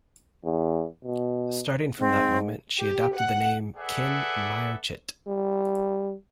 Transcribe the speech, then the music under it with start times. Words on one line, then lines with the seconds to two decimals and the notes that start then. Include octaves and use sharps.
Starting from that moment, she adopted the name, Khin Myo Chit.
0.44 E2
1.04 B2
1.99 G#2 C4
2.81 G4
3.16 F#5
3.76 G#4 A4 B4 D5 E5 F#5
5.27 G3